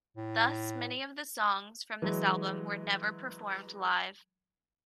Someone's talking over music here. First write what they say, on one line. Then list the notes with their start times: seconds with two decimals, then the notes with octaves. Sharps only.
Thus, many of the songs from this album were never performed live.
0.17 A2
2.02 E3 F#3 G#3